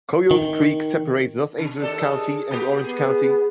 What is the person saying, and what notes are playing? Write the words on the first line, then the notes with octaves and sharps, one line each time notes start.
Coyote Creek separates Los Angeles County and Orange County.
D#3
C#3
D#2 A4 D5
G#4
A#3 B3 G4
B3 G#4